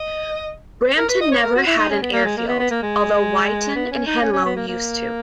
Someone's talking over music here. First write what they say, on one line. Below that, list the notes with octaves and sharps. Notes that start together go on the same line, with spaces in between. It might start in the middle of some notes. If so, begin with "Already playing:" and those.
Brampton never had an airfield, although Wyton and Henlow used to.
Already playing: D#5
A#4
B4
D#5
C#5
A#4
F#4
E4
D#4
C#4
B3
A#3
G#3
A#3
B3
B3
A#3
G#3
B3
C#4
D#4
C#4
C#4
B3
A#3
A#3